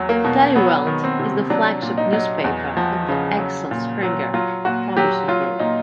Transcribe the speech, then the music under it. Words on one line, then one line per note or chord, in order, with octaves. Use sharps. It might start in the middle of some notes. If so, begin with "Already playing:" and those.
"Die Welt" is the flagship newspaper of the Axel Springer publishing group.
Already playing: E2 F#3
A#3
B2
F#3 B3
D#3
C4
C3
F#3 D4
A#2
D#4
F#3
E2
F3
C#3
F#3
A#2
F#3
F#3 F4
A#2 F#4
F#3 G4
F#3 F4
A#2 D#4